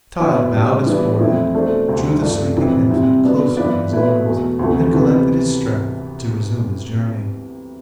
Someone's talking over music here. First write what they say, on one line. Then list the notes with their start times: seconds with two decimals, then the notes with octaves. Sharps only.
The child bowed his forehead, drew the sleeping infant closer in his arms, and collected his strength to resume his journey.
0.20 B2 B3 E4 B4
0.53 A2 G3 D4
0.87 E3 G3 B3 D4
1.20 F2 E3 A3 C4 E4
1.54 B2 A3 D4 A4 C5
1.88 D2 C3 G3 C4
2.22 G2 F3 A3 D4
2.56 F2 C3 E3
2.89 C3 G3 C4 E4
3.24 B2 B3 D4
3.57 E3 B3 F4 B4 D5
3.91 B2 A3 E4 B4
4.25 E2 B2 A3
4.59 D2 C3 F3 A3
4.93 C2 C3 E3 B3